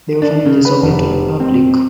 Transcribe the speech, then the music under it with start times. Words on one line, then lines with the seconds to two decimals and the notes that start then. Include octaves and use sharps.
The orphanage is open to the public.
0.22 D4
0.45 C#3
0.65 B4
0.82 F1
1.40 C4